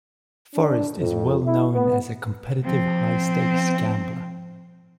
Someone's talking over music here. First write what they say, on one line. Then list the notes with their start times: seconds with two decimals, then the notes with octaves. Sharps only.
Forrest is well known as a competitive high-stakes gambler.
0.54 D4
0.98 F2
1.45 E4
1.73 B3
2.64 F3 C4